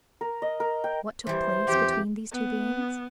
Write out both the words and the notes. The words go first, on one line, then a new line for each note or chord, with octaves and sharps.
What took place between these two beings?
A#4
D#5
A#4
G5
E3 G3 C5
F2 E3 G4
B3